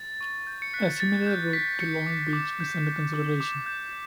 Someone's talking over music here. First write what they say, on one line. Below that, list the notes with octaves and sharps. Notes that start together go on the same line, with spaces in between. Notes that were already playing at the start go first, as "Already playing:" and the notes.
A similar route to Long Beach is under consideration.
Already playing: A6
C#6
G6
C#7
F#6 B6
D6 A6
D6 G6
F#6 B6
G6 C#7
D6
D6
G6
G6
D6
D6
G6